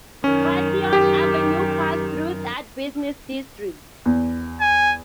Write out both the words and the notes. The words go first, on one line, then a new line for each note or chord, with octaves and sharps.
Gratiot Avenue passed through that business district.
F#2 D#3 C#4
G4
E2
G#5